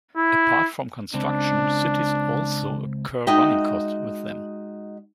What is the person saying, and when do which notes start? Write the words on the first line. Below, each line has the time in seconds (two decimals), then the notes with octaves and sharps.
Apart from construction, cities also occur running costs with them.
0.17 E4
1.14 C#2 C4 D4
3.27 G#3 D#4 F#4 D#5 E5 G5